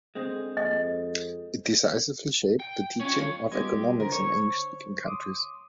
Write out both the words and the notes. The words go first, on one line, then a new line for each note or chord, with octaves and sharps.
It decisively shaped the teaching of economics in English-speaking countries.
D3 G#3 C4
F2 D#5
G5
C#4 F4 C#5
C#5
G3 G#3 B3 F4 G4
D3 A#4 C5
C#5
C6 D6 D#6